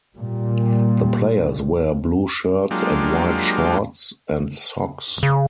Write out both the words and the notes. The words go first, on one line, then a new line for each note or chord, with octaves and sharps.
The players wear blue shirts and white shorts and socks.
A#2 G3
F#3 G#3 A#3 D4 F4 G4
C#3